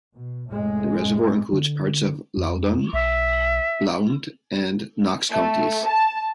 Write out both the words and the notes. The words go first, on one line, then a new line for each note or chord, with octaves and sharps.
The reservoir includes parts of Loudon, Blount, and Knox counties.
B2
F1 A2 G#3
D3
F2
B1 E5
A3
A5